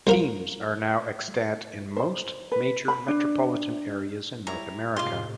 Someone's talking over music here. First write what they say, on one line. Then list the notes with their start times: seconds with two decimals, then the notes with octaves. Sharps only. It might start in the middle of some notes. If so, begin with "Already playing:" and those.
Teams are now extant in most major metropolitan areas in North America.
0.07 C2 A#4 F5
1.96 C5
2.52 B4
2.88 B5
3.08 D4
4.47 G3 E4 C#5 A#5
4.96 A2 C3 G#3 D#4 F4 C6 D6 F6